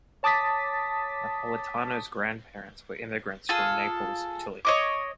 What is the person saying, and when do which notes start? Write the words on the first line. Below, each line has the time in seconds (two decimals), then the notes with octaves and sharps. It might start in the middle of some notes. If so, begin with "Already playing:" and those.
Napolitano's grandparents were immigrants from Naples, Italy.
0.23 C#5 A5 D6 D#6 A6 B6
3.49 F4 G#4 A4
4.65 C#5 D#5 D6